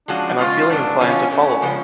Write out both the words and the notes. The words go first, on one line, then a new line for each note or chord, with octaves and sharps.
And I’m feeling inclined to follow them.
F3 G#3 C#4 D4 F#4
C#3 G#3 C#4 F4
G#2 F#3 C#4 D4
D3 F3 B3 C#4 F4
A2 F#3 A3 C#4
C#3 F3 G#3